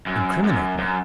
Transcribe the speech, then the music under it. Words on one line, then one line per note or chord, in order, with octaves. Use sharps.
"Incriminate me?"
F#2
F#2
F#2